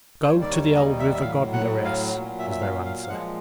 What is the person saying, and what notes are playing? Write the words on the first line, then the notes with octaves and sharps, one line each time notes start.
"Go to the old river god Nereus," was their answer.
C5
D#2 D#3 G3 C#5
D5
C#5
D#5
E5
E5
A2 F#3 F5
F#5
F5
A#2 F#3
E5
E5
F5
F5
F5
A#2 F3 G#3 F#5